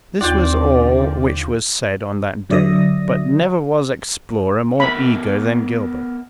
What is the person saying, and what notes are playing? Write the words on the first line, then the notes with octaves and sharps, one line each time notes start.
This was all which was said on that day, but never was explorer more eager than Gilbert.
D#2 D3 F3 C4 F4 D5 G5 F#6
D3 F#3 D5 E5 D#6 A#6
B3 A#4 E5 B5